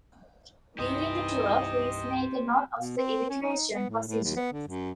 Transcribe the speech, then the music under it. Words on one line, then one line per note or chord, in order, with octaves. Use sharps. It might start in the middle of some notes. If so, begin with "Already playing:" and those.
During the tour, please make a note of the evacuation procedure.
C2 G2 E3 D#4 G4 C5 D#5
B2
C4
C#4
D#4
B3
A2
A2
D#2
B3
D3
F#2